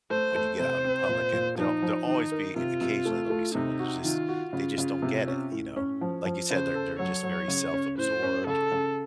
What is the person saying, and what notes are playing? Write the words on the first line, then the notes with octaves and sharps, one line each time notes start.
When you get out in the public and they'll they'll always be e occasionally, there'll be someone that's just they just don't get it, you know? Like you said, they're they're just very self-absorbed
A3 C5
A3
C3 C5
C4
A#2
A#2
F3 D#4
F3
D#3 D#4
A#4
C3 F4
C3
A3
A3
C3 D#4
F#4
D#3 F4
F#4
C#3 F4
C#3
C3
C#4
A2
C#4
F3
F3
C#3 C5
A4
F#3 C#5
F#3
C#3
C#4
A2 C5
C#4
C#3 A4
C#3